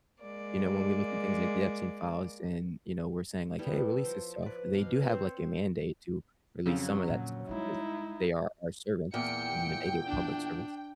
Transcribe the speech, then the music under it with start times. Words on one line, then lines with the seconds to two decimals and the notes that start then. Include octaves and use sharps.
you know, when we look at things like the Epstein files and, you know, we're saying like, "Hey, release this stuff," they do have, like, a mandate to release some of that stuff because they are our servants, at the end of the day, they're public servants.
0.22 G#3 A#3 D5
3.59 G3 B3 E4 A4
4.05 F3 C5
4.42 B4 D5
4.73 B2 F5
5.06 C4 C5 C#5
6.66 F2 C#3 F#3
7.08 A#2 D3
7.49 G3 G#3 D#4 E4
9.14 E2 A#2 G5 C#7
10.07 D4